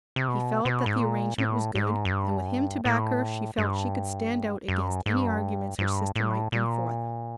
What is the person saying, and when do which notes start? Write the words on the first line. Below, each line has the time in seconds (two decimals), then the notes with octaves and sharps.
He felt that the arrangement was good, and with him to back her she felt she could stand out against any arguments her sister might bring forth.
0.16 C3
0.28 B2
0.65 B2
0.86 G#2
0.94 A2
1.01 A#2
1.38 A2
1.75 G#2
2.05 F#2
2.12 G2
2.37 F#2
2.48 G2
2.85 A2
3.58 G2
4.68 F#2
5.06 G#2
5.16 G2
5.26 F#2
5.37 G2
5.79 G2
6.16 A2
6.52 A#2